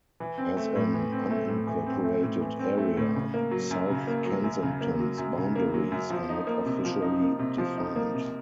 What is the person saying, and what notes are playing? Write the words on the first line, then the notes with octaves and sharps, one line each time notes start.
As an unincorporated area, South Kensington's boundaries are not officially defined.
E3
C4
A3
A2
E3
C4
A3
A2
E3
C4
A3
A2
E3
C4
A3
A2
C#3
A#3
F#3
F#2
C#3
A#3
F#3
F#2
C#3
A#3
F#3
F#2
C#3
A#3
F#3
F#2
F3
D#4
A#3
C3
F3
D#4
A#3
C3
F3
D#4
A#3
C3